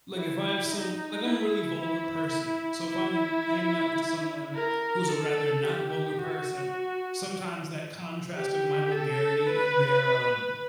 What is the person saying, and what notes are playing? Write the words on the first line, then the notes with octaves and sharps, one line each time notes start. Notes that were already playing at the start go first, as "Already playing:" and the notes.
Like, if I have some like, I'm a really vulgar person. So if I'm hanging out with someone who's a rather not vulgar person, sometimes that contrast of my vulgarity and their, um
E4
D#4
E4
E4
E4
A#4
A4
G4
F#4
G4
A4
B4